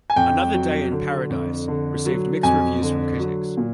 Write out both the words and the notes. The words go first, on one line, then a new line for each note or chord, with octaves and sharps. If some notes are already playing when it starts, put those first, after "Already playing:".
"Another Day in Paradise" received mixed reviews from critics.
G#5
F2 G5
F#3
D3
F2
D3
F#3
F2 G#5
D3
F#3
A#2